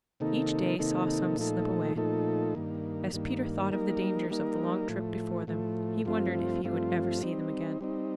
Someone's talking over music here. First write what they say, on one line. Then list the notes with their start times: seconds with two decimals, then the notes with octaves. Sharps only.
Each day saw some slip away. As Peter thought of the dangers of the long trip before them he wondered if he would ever see them again.
0.20 C3 D#3 A#3 D#4 A4
0.79 C3 D#3 A#3 D#4 A4
1.38 A#2 F3 A3 D#4 A4
1.96 A#2 F3 A3 D#4 A4
2.55 G2 D#3 A#3
3.13 G2 D#3 A#3
3.72 G3 A#3 D#4 A#4
4.30 G3 A#3 D#4 A#4
4.89 A2 F3 A3
5.47 A2 F3 A3
6.05 G2 F3 A3 C4 F4
6.64 G2 F3 A3 C4 F4
7.23 G3 C4 D#4
7.81 G3 C4 D#4